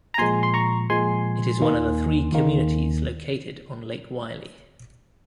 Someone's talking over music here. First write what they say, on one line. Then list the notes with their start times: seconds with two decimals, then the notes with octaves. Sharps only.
It is one of the three communities located on Lake Wylie.
0.14 A#5
0.18 A#2 F3 G#3 G#5 C6
0.43 C6
0.54 A#5 C#6
0.90 A#2 F3 G#3 G#5 C6
1.61 D#2 D#3 A#3
2.32 D#2 D#3 A#3